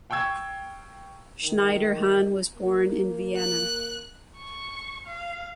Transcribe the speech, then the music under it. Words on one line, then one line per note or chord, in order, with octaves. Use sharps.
Schneiderhan was born in Vienna.
F5 G5 C#6 E6 G#6
D#3
A#3
F#6
C#6
F5